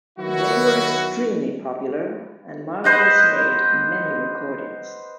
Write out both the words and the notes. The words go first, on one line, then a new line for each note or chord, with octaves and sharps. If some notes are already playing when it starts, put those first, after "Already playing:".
They were extremely popular, and Markos made many recordings.
D#3 F#3 B3 E4 F#4
B4 C5 D#5 F#5